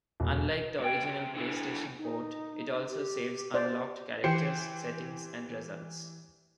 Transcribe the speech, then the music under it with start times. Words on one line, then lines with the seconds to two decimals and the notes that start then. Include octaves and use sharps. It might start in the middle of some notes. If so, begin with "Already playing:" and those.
Unlike the original PlayStation port, it also saves unlocked characters, settings and results.
0.20 E1
0.80 G#2 G5
1.03 D#2 C3
1.35 D3 E4
1.98 D#4
2.89 G4
3.54 C5 D5
4.24 E3 G4 C5 C7 C#7